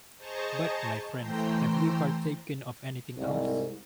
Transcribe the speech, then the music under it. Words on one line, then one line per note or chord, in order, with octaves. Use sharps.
But, my friends, have we partaken of anything else?
G#4 C5 D#5 A5 A#5 C#6
E3 A3 C5 G5 A#5 C6
C2 G#2